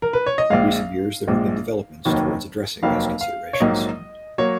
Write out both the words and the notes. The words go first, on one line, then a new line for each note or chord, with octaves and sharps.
In recent years, there have been developments towards addressing these considerations.
A#4
B4
C#5
D#5
A#1 A#2 G#3 F5
A#1 A#2 G#3
F1 D#2 D#3 F#3 A#3
F1 D#2 D#3 F#3 A#3 F5
F5
C#5
A#1 G#2 F#3 A#3 D#5
F#3 A#3 C#5